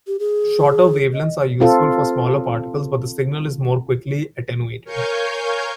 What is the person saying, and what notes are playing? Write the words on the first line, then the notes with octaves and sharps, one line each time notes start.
Shorter wavelengths are useful for smaller particles, but the signal is more quickly attenuated.
G4
G#4
D#5
C4 F4 A4
A#4 C#5 F5 G#5 C#6 G6